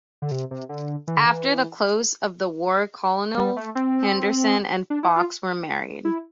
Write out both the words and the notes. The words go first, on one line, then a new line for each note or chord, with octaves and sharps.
After the close of the war Colonel Henderson and Fox were married.
D3
C3
C3
D3
E3
D3
E3
G3
A3
C4
D4
E4
F4
E4